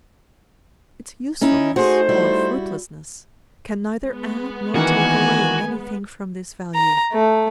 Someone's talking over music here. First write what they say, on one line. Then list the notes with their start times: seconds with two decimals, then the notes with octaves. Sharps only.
Its usefulness or fruitlessness can neither add nor take away anything from this value.
1.41 C#4 D#4 E4
1.76 A3 D#4 F#4 G#4 C5
2.09 G3 E4 F#4
4.05 G#3 B3
4.75 D#3 E3 A#3 F#4 G#5
6.75 A#5
7.12 A3